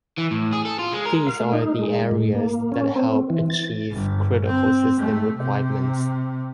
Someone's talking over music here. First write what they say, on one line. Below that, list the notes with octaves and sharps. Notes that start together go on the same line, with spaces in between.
These are the areas that help achieve critical system requirements.
E3
A2
G#4
A4
F4
G#3
A#4
F5
A3
D#4
G#3
A2
A#3
C#4
C4
E3
A6
G1
C4
A3
C3